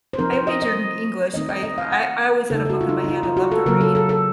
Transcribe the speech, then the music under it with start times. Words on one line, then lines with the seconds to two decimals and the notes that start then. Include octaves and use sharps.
I majored in English, I I I always had a book in my hand, I love to read.
0.13 C5
0.18 F3 C4 D#4 A#4
0.33 C5
0.47 D#5
0.62 D#5
1.34 D#3 A3 C4 D#4 D#5
1.49 D#5
1.63 D#5
1.78 F5
1.92 F#5
2.50 C#3 A3 D#4 A4
2.65 A4
2.70 F#4
2.81 F4
2.89 D#4
3.04 D#4
3.08 F4
3.23 F4
3.37 F#4
3.52 A4
3.66 C#3 F#3 A#3 A#4
3.81 A4
3.95 A4
4.09 A4